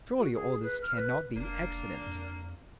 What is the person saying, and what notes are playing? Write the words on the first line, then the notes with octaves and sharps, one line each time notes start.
Surely all this cannot be accident!
F#4
G#4
B4
F6
B4
F1 A#3 D4
F2